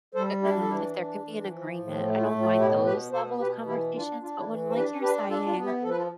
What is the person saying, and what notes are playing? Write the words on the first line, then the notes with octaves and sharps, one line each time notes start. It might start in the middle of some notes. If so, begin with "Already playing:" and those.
a and then if there can be an agreement, I don't mind those level of conversations, but when, like you're saying,
G3 A4 C5
D4 E4 G4
A4
E3 E4 G4
D4
E3
F3
A2
A3 F4
F4
E4
A2
F4
B2 E4 G4
B2 G4 B4
B2 A4 C5
B2 G4 B4
E3 E4 G4
D4 F4
D4 F4
E4
E3
C5
D4 G4 B4
D4 G4 B4
G4
D4 F4 A4
F4
B3
E4 G4
F3 A4
B4
F4 A4